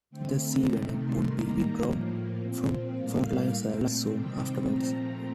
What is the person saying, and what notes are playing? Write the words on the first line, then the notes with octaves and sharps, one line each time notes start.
The Sea Venom would be withdrawn from frontline service soon afterwards.
D3 A3 C4 G5
A#5
C3 D#3 A3 A5
C6
D#3 G3 A#3 A#5
A2 F3 A#3
A#2 F3 C4
A2 G3 A#3 F5
A#2 A3 C4
C3 D#3 G3 C4 G5
A#2 F3 A3 C4 A#5